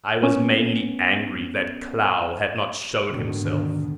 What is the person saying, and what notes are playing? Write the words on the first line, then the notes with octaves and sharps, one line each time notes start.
I was mainly angry that Klow had not showed himself.
B3 C#4
D#2 G#2 B2 D3 D#3